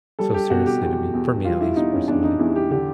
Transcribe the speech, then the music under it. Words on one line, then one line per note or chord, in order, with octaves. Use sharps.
so seriously to me for me, at least, personally.
G3 A4
G4
B2 F#4
G4
E2 G4
E2
G3 F4
E4
E2 D#4
C#4
E2 D4
D#4
E2 E4
G4
D3 G4